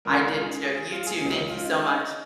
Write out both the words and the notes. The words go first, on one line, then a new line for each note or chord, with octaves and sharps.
I did too. You too, thank you so much.
C#2 C#3 A#4
G#4
F4
G#4
G#4
F4
G#4
C#2 C#3
F4
D#4